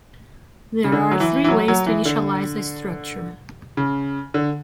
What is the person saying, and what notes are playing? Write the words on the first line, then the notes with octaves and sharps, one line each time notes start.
There are three ways to initialize a structure.
C#3
D3
F#3
E3
E3
F#3
F#3
E3
D3
C#3
D3